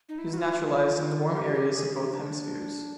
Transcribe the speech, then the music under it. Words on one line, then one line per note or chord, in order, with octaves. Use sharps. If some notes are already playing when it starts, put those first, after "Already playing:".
He was naturalized in the warm areas of both hemispheres.
D#4
E4
F#4
F4
G4
G4
G#4
G4
D4